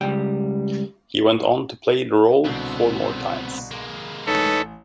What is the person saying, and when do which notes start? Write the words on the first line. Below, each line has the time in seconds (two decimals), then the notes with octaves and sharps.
He went on to play the role four more times.
0.01 C#2 G3 G5
2.45 C2 B2 D3 B3 C4
3.71 G#3 A#3
4.27 A1 D#4 A4 B4 C#5